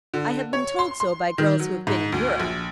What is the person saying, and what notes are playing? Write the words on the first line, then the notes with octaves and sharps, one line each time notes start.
I have been told so by girls who have been in Europe.
D3
C#5
C6
C6
D#3
F#3
G#2
D2
A#1